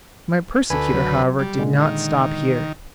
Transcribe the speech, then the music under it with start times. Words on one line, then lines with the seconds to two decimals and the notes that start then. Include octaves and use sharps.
My persecutor, however, did not stop here.
0.70 D2 A4 B4 G#5
0.94 F#3
1.39 G3
1.58 A#2 D3 G#3
1.79 D#3